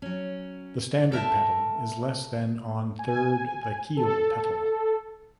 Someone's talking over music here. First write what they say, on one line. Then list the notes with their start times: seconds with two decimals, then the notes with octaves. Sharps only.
The standard petal is less than on third the keel petal.
0.02 F#3 C#4
1.12 A4 A#4 E5 A5
2.99 G#5
3.97 A4